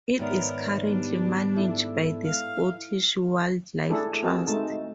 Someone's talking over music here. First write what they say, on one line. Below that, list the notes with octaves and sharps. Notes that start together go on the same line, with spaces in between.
It is currently managed by the Scottish Wildlife Trust.
G#2 D#3 B3 A#4 B4 C#5 D5 E5
G3 B3 D4
E4 A4
F5
A3 D4 E4 G#4 A4
C4 F#4 G#4 A#4 D#5 A5
G#3 A3 D#4 A5